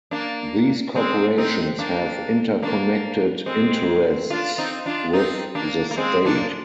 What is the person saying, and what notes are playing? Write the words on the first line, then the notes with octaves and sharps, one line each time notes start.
These corporations have interconnected interests with the state.
A#3 D4
G#3 C4
C4 D#4
A#3 D4
A#3 D4
G#3 C4
D4 F4
C4 D#4
D4 F4
C4 D#4
A#3 D4
A#3
G#3 C4
A#3 D4